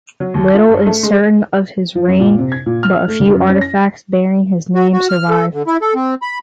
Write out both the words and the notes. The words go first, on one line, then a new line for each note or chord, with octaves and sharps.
Little is certain of his reign, but a few artifacts bearing his name survive.
F#3
D#2
F4
G2
A3
G#3
F3
F#2
A#2
C3
G#6
A#2
F6
A3
D3
F#2
C#4
A#6
F#4
F#4
F6
A4
D3
E4
A4
C4
B5